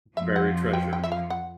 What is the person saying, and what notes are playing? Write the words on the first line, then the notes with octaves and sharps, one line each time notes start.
buried treasure,
F2 F3 E5
F#5
G5
G5
E5
F5
F#5